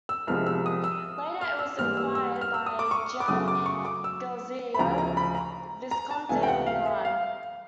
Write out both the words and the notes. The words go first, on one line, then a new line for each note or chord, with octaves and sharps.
Later it was acquired by Gian Galeazzo Visconti of Milan.
E6
C2 C3 F3 G#3 F6
E6
D#6
E6
F6
E6
G#2 E3 G3 A#3 F6
E6
E6
F6
E6
D#6
D6
C#6
D6
F#2 C#3 F#3 A3 D#6
D6
C#6
D6
E6
B5
D2 C#3 F3 A#5
A#5
B5
A#5
A#5
A5
C#2 C3 E3 A3 G#5
G5
F#5
F5
E5
F5